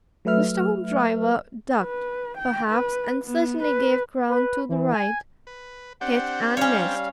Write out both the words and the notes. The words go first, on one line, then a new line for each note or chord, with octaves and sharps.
Mr. Hoopdriver ducked perhaps and certainly gave ground to the right, hit, and missed.
F#3 A3 B4 E5 F6
B4
G5
B4
B3
B4
B4
E3
G#5
B4
C4 D4 G4 F#5
G3 C#4 C#5 F5